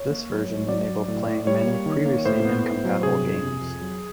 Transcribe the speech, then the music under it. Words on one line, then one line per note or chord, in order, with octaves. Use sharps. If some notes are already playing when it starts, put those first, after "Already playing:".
This version enabled playing many previously incompatible games.
Already playing: C#5
A#3
F#3
A2
F#3 D5
F#3
A2
A2
G3 C#5
A#3
D#3
A#3
A2 C5
B3
A2
F#3
C3 G#4
F2
C3
F2
F#3